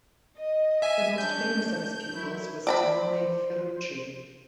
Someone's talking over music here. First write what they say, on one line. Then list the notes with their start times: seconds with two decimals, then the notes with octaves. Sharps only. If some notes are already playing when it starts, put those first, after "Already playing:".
The most famous of his pupils was Simone Ferrucci.
0.38 D#5
0.82 E5 G#5
1.18 D#3 C#4 D4 G6
2.09 F#3 E4
2.67 C5 D5 A#5 B5